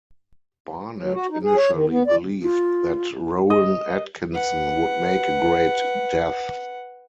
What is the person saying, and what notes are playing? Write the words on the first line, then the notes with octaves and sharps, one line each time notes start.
Barnett initially believed that Rowan Atkinson "would make a great Death".
F#3
F#4
D#4
G#4
C#5
D#3
B3
D5
F4
D#5
B4 F#5